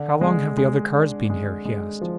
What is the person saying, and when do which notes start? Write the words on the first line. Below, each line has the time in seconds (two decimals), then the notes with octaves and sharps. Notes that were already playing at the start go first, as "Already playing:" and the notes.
"How long have the other cars been here?" he asked.
Already playing: D3
0.21 G#3
0.57 G#3
0.94 D4
1.30 G#3
1.65 G#3
2.01 F3